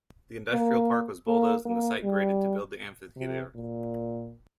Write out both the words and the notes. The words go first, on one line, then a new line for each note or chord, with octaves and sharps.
The industrial park was bulldozed and the site graded to build the amphitheatre.
A#3
A#3
A#3
G3
C3
A#2